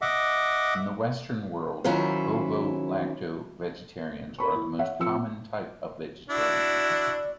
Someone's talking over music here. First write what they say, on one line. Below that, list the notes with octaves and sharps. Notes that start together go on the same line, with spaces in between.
In the Western world, ovo-lacto vegetarians are the most common type of vegetarian.
D#5 E5 F#5 D6
D#3 F#3 C#4 E4 F4 C5
A#4 B5 C#6
E4
C#5 E5 F#5
F3 C4 E6 C#7
D4 E4 F#4 D5